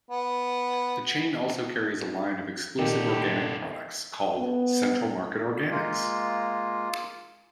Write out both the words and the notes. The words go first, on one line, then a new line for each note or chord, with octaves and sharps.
The chain also carries a line of exclusive organic products called "Central Market Organics".
B3
A#2 D#3 D#4 G4 A4
B3
G#3 A#3 F4